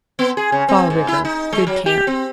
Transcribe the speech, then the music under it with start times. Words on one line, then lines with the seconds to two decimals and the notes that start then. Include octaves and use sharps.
Fall River.--Good camp.
0.19 B3
0.37 G#4
0.52 C#3
0.69 C4
0.90 G#2
1.08 E4
1.25 D#4
1.53 G#3
1.67 F#3
1.86 G4
2.07 C4